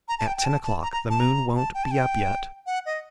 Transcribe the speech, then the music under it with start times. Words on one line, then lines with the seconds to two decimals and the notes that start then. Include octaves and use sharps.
At ten o'clock the moon won't be up yet.
0.08 A#5
0.18 A5
0.27 G5
0.37 G5
0.45 A5
0.63 A5
0.82 A#5
0.92 A#5
1.10 A5
1.20 A#5
1.56 A5
1.74 G5
1.84 A5
1.91 G5
2.66 F#5
2.86 D#5